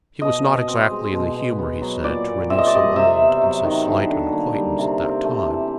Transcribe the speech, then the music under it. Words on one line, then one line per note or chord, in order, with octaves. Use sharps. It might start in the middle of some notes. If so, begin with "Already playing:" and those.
He was not exactly in the humour, he said, to renew so old and so slight an acquaintance at that time.
B2 D#5
B2
C4
G#3
B2
B2
B3
F#3
A#2 D5
A#2
C4 E5
D#5
D5
G3 D#5
C3 E5
B3
F#3
D#3
D3
D3
A#3
G3
C3
C4
A3
E3